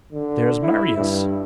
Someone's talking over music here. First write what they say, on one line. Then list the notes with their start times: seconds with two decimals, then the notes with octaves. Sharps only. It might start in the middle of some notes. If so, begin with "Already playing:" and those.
"There's Marius."
0.13 D3
0.63 E4
0.97 G2